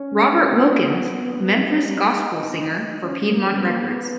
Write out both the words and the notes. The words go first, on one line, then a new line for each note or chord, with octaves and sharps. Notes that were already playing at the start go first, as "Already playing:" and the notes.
Robert Wilkins: Memphis Gospel Singer, for Piedmont Records.
Already playing: C#4
C#4
B3
A#3
B3
B3
B3
D#4
B3
C#4
G3
D#4
D#4
C#4
A#3
C#4
B3
A#3
B3